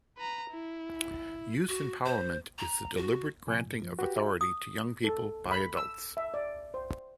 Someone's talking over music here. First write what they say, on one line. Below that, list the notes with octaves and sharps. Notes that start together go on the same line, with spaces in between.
Youth empowerment is the deliberate granting of authority to young people by adults.
B4 A#5
E4
F#4
C5
A#5
F#4
C3 F3 G#5
G#2
F#2 F3
F#4 G4 B4
E5
D#6
A4
B5
E6
E5
D5
C5